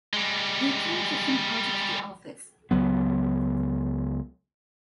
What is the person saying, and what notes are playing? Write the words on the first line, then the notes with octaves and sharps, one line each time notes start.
You can't kick him out of the office.
G3 G#3
C#2 F#3 B3